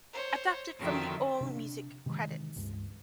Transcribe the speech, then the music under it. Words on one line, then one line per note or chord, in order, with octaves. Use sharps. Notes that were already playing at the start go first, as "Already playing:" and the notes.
Adapted from the AllMusic credits.
C5 C#5
F2 D3 D#3 F#3 E5
C3 D4
C3 D#3 E3 G#3
C#2 G2 G#3